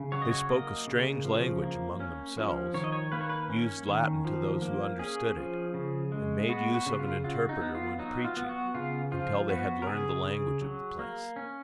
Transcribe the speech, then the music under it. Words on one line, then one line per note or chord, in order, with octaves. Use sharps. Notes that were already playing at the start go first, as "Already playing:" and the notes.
They spoke a strange language among themselves, used Latin to those who understood it, and made use of an interpreter when preaching, until they had learned the language of the place.
Already playing: C#3
F#3 C#5
D#5
C#5
A#3 D#5
C#3
F3
A#3
C#4
F3
D#3 C#5
D#5
C#5
A#3 B4
C#5
B4
C#4
D#3
F3
A#3
C#4 G#4
F3
C#3
G#3
B3 F#4
F#4
C#3
F4
F#3 F4
D#4
B3
F4
F#3 D#4
F4
B3
F#4
C#3 F4
F3 F4
B3 F#4
A#4
C#3 G#4
C#3
F#3
A#3
C#4